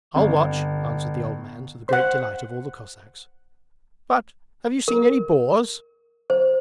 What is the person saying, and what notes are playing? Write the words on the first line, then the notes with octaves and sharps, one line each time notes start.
I'll watch,' answered the old man to the great delight of all the Cossacks. 'But have you seen any boars?'
G1
C5 F#5
A#4
C5